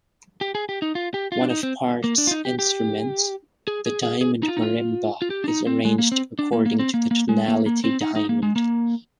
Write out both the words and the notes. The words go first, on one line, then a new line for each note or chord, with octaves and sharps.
One of Partch's instruments, the diamond marimba, is arranged according to the tonality diamond.
G4
G#4
G4
D#4
F4
G4
F4
D4
D#4
C4
A#3
D4
F4
D#4
G4
G4
G#4
G#4
G#4
G#4
D#4
F4
D#4
F4
F4
G4
D4
D#4
C4
G#3
A#3
C4
D4
A#3
A#3
C4
A#3
A#3
G#3
A#3
A#3
C4
D#4
D#4
A#3
G#3
A#3